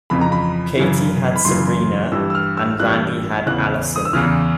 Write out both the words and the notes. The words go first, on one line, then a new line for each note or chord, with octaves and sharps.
Katie had Sabrina, and Randy had Allison.
F2 C#3 E3 B5
A#5
B5
F#2 C#3 E3
B5
F#2 C#3 E3 C6
G2 E3 E6
E6
F6
E6
G2 E3 F#6
E2 C#3 E3 F#6
D#6
E6
E2 C#3 E3 F6